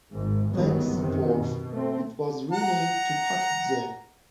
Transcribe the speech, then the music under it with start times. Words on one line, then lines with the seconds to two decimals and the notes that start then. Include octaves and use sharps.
Thenceforth, it was renamed to PocketZip.
0.12 G#1 G#2
0.51 G1 C2 F#2 D#3 F#3 B3
0.92 F#2 C3 D#3
1.37 B2
1.72 A3 C4
2.51 F#5 A#5